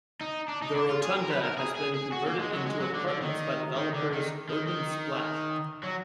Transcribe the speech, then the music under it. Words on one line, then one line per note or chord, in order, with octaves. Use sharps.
The Rotunda has been converted into apartments by developers Urban Splash.
D#4
D4
D#4
D4
F4
G#4
A#4
B4
A#4
G#4
G#4
G#4
F#4
A#3
G#3
F#3
G#3
F#3
D3
D3
D#3
D#3
D3
D#3
D#3
D#3
F#3